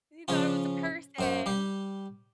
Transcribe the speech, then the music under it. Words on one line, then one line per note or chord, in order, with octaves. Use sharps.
he thought it was a person.
C#3 F3 C#4 F4
F#2 C5 C#5
G3 G4